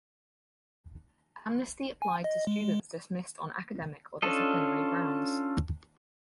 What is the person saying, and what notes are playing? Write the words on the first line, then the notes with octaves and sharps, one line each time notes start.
The amnesty applied to students dismissed on academic or disciplinary grounds.
G#5
D#5
G#3
C#4 D4 F4 A4 D#5